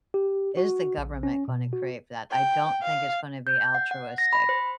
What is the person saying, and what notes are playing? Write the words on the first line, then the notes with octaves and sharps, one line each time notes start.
is the government gonna create for that? I don't think it's gonna be altruistic.
G4
F#4
A#1
C#4
B2
F#4
G5
F5
G6
F#5
F#5
A#6
B5
C5